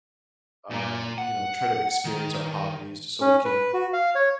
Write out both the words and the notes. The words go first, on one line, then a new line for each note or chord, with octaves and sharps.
um, you know, try to experience our hobbies just so we can,
A#2 A#3
F#5
D#3
C#4
B4
F#4
F5
C#5